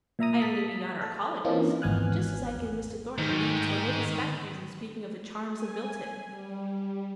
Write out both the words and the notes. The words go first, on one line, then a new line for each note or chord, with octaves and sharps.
I am leaving out our colleges, just as I give Mr. Thornton leave to omit his factories in speaking of the charms of Milton.
A#2 E5 A#5 D#6
A5 D#6 B6
A4 A5
E3 A#3 C4 C#4 D#4 F4
G#1 E2 B3 G#5 F6 F#6
G#2 D#3
G#5
G3